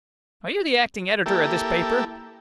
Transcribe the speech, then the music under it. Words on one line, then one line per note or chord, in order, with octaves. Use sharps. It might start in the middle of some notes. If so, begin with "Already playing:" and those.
"Are you the acting editor of this paper?"
A#3 E4 G4 A4